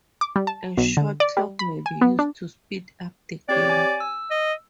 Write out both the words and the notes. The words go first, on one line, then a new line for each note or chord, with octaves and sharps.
A shot clock may be used to speed up the game.
D6
G3
A5
B1
D3
D5
G3
B5
G#5
B3
D4
C4 G4 C#5 D5
G#5
E6
D#5